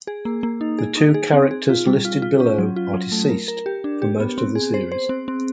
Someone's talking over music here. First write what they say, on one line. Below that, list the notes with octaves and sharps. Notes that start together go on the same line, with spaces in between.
The two characters listed below are deceased for most of the series.
G#4
A#3
A#3
D#4
G#4
D#4
G#4
C4
G#4
F4
G3
F4
F4
C#4
F#3
F4
F#3
A3
A#4
A#4
G4
D4
G4
B3
C4
G#4
C5
C5
C4
C4